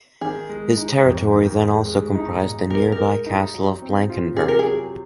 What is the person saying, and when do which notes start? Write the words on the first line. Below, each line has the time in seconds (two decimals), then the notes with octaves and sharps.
His territory then also comprised the nearby castle of Blankenburg.
0.21 D#3 G#4
0.49 G#3
0.77 D#4
1.05 F2
1.32 D#3
1.60 G#3
1.87 G#3
2.15 D#4
2.43 A#2
2.70 A#2 A#4
2.92 A#4
2.99 G#3
3.26 D#4
3.54 F#3
3.82 C4
4.10 F4
4.37 C3 G#4
4.48 A#4
4.59 G#4
4.65 F#3